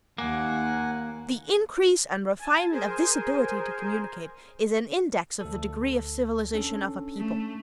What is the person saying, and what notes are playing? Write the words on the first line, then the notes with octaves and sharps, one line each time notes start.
The increase and refinement of this ability to communicate is an index of the degree of civilization of a people.
D#2 A#3 F#5 G#5
G#5 A5
G#4 A#4 C5 G#5
D2 A4
C#4 D4 A4
A3